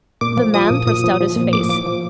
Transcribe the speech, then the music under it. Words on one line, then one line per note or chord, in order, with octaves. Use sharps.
The man thrust out his face.
A#2 D6
F3
F3 D#6
A#2
A#2 D#6
F3
F3
A#2
A2 D6
F3 D6
F3